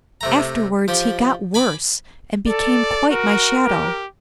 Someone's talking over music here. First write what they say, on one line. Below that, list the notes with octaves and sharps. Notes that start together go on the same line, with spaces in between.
Afterwards he got worse, and became quite my shadow.
C3 A3 A#5
F3 G4
G#5 B5 D6
A4 D5
F#4 A#4
G4